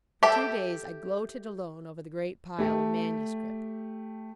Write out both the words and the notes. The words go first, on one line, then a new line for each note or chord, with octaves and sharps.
For two days I gloated alone over the great pile of manuscript.
G4 A4 E5
A3 G4